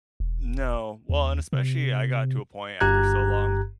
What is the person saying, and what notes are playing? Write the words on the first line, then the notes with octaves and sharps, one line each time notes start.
No, well, and especially, I got to a point after so long
E1
D#2
C3
G1 G2 G4 A#5 F#6 G#6